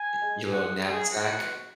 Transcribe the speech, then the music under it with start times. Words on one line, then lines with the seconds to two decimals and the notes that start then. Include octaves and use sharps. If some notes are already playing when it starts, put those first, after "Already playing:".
I your little knapsack.
Already playing: G#5
0.22 G#3
0.52 G#2 F#5
0.80 G#3
0.90 G#4
1.10 C#2 F#4
1.39 B2 G#3